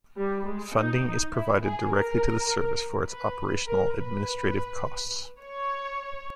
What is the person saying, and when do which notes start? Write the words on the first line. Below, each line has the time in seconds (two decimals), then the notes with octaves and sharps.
Funding is provided directly to the service for its operational administrative costs.
0.17 G3
0.45 G#3
0.75 D#4
1.33 E4
1.62 G#4
1.91 A#4
3.08 B4
3.66 A#4
3.95 B4
5.41 C#5